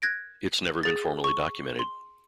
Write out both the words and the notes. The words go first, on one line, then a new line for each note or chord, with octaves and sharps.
It's never been formally documented.
F#6 G#6 A#6 D7
G#4 A6
C#6
C6